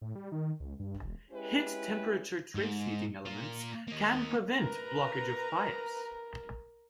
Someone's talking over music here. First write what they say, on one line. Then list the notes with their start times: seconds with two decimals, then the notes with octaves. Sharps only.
Hit-temperature trace heating elements can prevent blockage of pipes.
0.01 A2
0.15 G3
0.32 D#3
0.60 C#2
0.80 G2
1.04 E1
1.31 G#3 C#4 E4 G4 B4
2.55 G#2
3.26 A#3 F4
3.88 A#3 D#5
4.58 A#4 B4 A#5